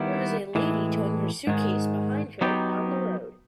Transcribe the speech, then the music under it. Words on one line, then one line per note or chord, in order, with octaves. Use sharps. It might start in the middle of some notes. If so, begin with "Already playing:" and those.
There is a lady towing her suitcase behind her down the road.
Already playing: D#3 G3 B3 E4
A2 E3 G#3
G#2 D#3 G#3
F#3 B3 D#4 G4